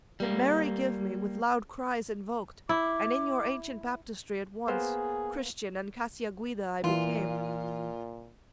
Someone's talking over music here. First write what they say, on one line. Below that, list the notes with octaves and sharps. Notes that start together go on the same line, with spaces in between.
Did Mary give me, with loud cries invoked, And in your ancient Baptistery at once Christian and Cacciaguida I became.
G3 A#3
E4 D6
A#3 B3 G#4 C5
A#2 E3 F4